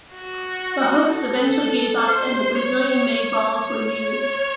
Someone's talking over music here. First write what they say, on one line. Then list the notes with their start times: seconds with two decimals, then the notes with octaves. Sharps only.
The hosts eventually gave up and the Brazilian made balls were used.
0.14 F#4
1.11 A4
2.08 C5
2.56 C#5
3.53 C#5